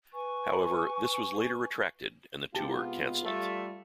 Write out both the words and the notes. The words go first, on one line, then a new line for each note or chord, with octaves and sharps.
However, this was later retracted, and the tour cancelled.
B4 G#5 C#6
C3 G#3 B3 F4 G4 A5
G3 A3